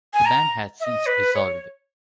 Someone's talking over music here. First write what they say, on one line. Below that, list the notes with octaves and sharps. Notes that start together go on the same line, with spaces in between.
The band has since dissolved.
G#5
A#5
E5
D#5
B4
C#5